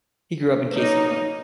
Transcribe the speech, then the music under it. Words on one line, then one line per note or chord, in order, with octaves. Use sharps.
He grew up in Caseyville.
A#3 D#4 B4 C#5